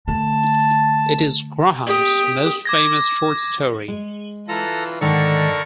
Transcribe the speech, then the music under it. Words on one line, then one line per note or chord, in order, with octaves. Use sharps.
It is Grahame's most famous short story.
D3 A3 A5
G4 D#6
D6 G#6 A#6
G#3
E3 F4 A4 A#5
G#2 D3 D#3 A4 A#4 D5 F#5 C#6